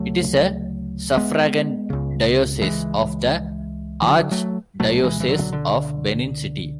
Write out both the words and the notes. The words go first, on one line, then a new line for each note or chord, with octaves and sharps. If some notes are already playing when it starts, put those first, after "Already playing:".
It is a suffragan diocese of the Archdiocese of Benin City.
Already playing: D2 C#3 F#3 A3
G#3 B3
C#2 C#3
E3 G#3
E3
D3 F#3
F#3 A3
C#2 B2 F#3 A3
E3 G#3
E3
D3 F#3
D3